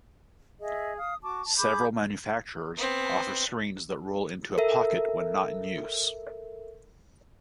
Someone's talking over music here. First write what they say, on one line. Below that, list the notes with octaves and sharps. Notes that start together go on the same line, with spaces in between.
Several manufacturers offer screens that roll into a pocket when not in use.
G#4 D#5 E5
F5 D#6
F#4 A5 C#6 D6
A5
G#4 B5 D6 G6
B3 C4
A4 A#4 E5